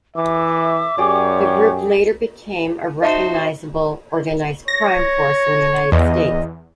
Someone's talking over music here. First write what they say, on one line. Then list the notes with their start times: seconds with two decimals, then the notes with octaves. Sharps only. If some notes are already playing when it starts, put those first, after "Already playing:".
The group later became a recognizable organized crime force in the United States.
0.16 E3 E5 D6
0.98 F#2 G4 G#4 C#5 D5
3.02 D#4 F#4 C5 D#5 E5 A5
4.68 C#5 A#6
5.92 E2 D#5